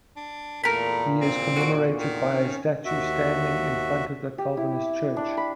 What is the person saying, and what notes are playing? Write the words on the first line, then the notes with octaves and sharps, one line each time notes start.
He is commemorated by a statue standing in front of the Calvinist church.
D4
E2 A#2 A3 A#4 B5
C4
F#4 D6
D#3
C#4
D#2 F#4 E5
G4
E4
D4
B5